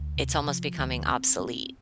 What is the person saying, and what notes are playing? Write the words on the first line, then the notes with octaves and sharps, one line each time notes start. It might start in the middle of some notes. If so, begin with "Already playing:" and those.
it's almost becoming obsolete.
Already playing: D2
C3
F3
D2
C4
C4